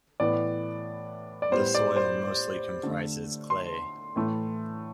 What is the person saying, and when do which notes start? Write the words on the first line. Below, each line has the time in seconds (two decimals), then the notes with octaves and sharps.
The soil mostly comprises clay.
0.20 A2 E3 B3 D5
1.42 D5
1.52 A2 G3 B3 C5
1.75 D5
1.96 C5
2.83 D3 A3
3.50 C6
4.16 A2 E3 A3